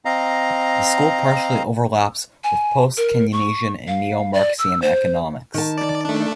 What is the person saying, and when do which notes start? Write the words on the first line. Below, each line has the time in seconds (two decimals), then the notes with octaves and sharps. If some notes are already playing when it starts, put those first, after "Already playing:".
The school partially overlaps with post-Keynesian and neo-Marxian economics.
0.05 C4 D#5 F5 A#5
2.44 G#5
2.97 A#4
3.33 C#6
3.88 F5
4.33 D5
4.58 E6
4.82 C5
5.54 D#3 A5
5.78 D5
6.05 A3 D4